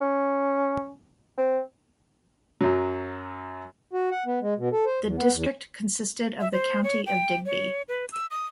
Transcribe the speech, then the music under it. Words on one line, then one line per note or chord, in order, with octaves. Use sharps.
The district consisted of the County of Digby.
C#4
C4
F#2 F#3
F#4
F#5
B3
G#3
B2
A4
C5
E2
B3
E2
E5
C5
C#5
G5
C#5
B4
E6
D#6